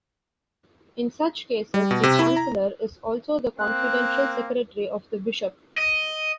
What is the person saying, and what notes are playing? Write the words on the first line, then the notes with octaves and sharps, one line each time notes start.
In such cases the chancellor is also the confidential secretary of the bishop.
G3
B2
C3
E4
A#5
A#3 C4 F#6
D#5